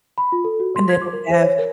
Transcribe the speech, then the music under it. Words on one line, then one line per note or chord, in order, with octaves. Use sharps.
And then we have,
B5
F4
A4
F#4
C6
G#6
D6
A#4
C5
C#5
A#4